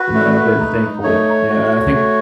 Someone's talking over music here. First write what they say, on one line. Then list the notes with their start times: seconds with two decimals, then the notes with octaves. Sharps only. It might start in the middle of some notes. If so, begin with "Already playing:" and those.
you know, and I'm very thankful. Yeah. I think
Already playing: F#4 B4
0.15 A3
0.60 D#4
1.04 A3 C#5
1.49 F#4
1.94 A3